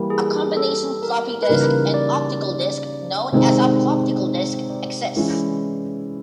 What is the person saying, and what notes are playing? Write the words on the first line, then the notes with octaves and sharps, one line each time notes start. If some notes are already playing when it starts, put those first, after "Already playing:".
A combination floppy disk and optical disc, known as a Floptical disk exists.
Already playing: E3 G3 A#3
G#4
A4
A#4
B4
C#3 E3 G3 A#3 D#4 A#4
D5
C3 D#3 G#3 C4 D#4
D5
E3 G#3 C#4 E4